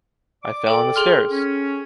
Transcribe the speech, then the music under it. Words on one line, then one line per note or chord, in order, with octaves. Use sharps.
I fell in the stairs.
D5 D6
A4 G5
G#4 C6 F6
C#4